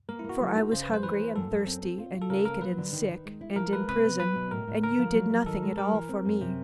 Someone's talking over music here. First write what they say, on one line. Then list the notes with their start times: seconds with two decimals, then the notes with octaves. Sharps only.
For I was hungry, and thirsty, and naked, and sick, and in prison, and you did nothing at all for me.'
0.09 A#3 A#4
0.19 E4
0.24 A#3
0.29 F#4
0.41 F#3
0.56 D#4
0.72 C#3 C5
0.83 B4
0.88 F#2
0.94 C5
1.03 E3 B4
1.19 A#3
1.35 F#2 A4
1.51 F#2
1.66 C4
1.82 C4
1.98 F4
2.14 F4
2.22 A4
2.30 C#3 A#4
2.45 A#3 A#4
2.62 F#3 B4
2.78 D3
2.93 D#3
3.09 D#3
3.25 G#3
3.41 E4
3.56 F3 A#4
3.72 G#3 B4
3.88 C3 B4
4.05 B3
4.20 F#3 B4
4.36 B2
4.51 A2 A#4
4.67 A2
4.83 D3 A#4
4.99 F3
5.14 F#3
5.30 F#3
5.46 D#3 A4
5.63 G#3
5.78 G3 A#4
5.93 E3
6.09 C4
6.25 F#2
6.41 C3